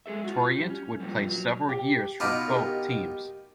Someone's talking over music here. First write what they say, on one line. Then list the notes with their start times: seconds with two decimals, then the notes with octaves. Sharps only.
Torriente would play several years for both teams.
0.06 G#3 G#4 A4 E5
0.24 F4 F#4
0.56 G3 G4
0.70 C#4
1.00 A#2 D3 F3 G3
1.30 F#3
1.69 G4
2.20 B2 D#4 F4 B5 D6
2.47 G4 A#4